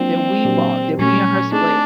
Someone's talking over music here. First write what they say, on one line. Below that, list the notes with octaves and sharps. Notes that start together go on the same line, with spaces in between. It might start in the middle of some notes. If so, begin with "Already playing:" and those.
that we bought, that me and her split.
Already playing: F#3 A#3 C4 D4 F4
A#2 F#3 A#3 D4 G4
A#2 F#3 A3 C#4
A3 C4 D4 D#4 G#4